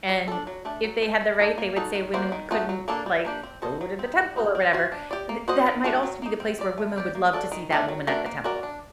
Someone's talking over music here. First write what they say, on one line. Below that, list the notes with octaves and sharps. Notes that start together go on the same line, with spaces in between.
and if they had the right, they would say women couldn't like, go to the temple or whatever. Th that might also be the place where women would love to see that woman at the temple.
G3
D4 A4
F#3
A3 D4 A4
F#3
A3 C4
C4
D#4 A4 D5
A#3
D#4 F#4 A4
D#3
G3 A#3 F#4 C5
D#3
A3 C4 D#4 F#4
F#3
A#3 D4 A4
G3
A#3 D4 G4
C4
F#4 A4 C5 D#5
F#3
C4 D#4
G3
C4 D#4 F#4
C4
F#4 C5
D4
G4 D5
A#3
F#4 C5 D#5
D#3
A3 D4 F#4 A4
F#3
A#3 D#4
C4
G4 D5
A3
C4 G4 D5
A#3
F#4 A4 D5
D#3
A3 D4 A4
F#3
A3 D4 F#4 A#4
A#3
F#4 A#4 D5
D4